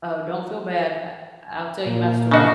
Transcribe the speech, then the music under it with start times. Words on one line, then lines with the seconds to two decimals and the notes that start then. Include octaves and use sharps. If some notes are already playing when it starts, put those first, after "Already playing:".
Oh, don't feel bad, I I'll tell you my story,
1.86 A#2
2.31 C#3 D4 F#4 D#5